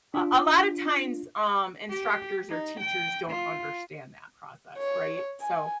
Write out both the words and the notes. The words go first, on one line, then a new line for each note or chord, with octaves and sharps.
uh, a lot of times, um, instructors or teachers don't understand that process, right? So,
D4 F4
G4
D#4
G5
F4
C#5
G#5